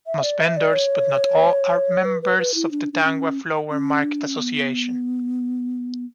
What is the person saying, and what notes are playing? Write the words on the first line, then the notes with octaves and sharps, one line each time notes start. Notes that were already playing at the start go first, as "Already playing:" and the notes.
Most vendors, but not all, are members of the Dangwa Flower Market Association.
E5
D5
E5
D5
C#5
B4
B4
B4
E4
D4
D4
C#4
C#4
D4
C#4
B3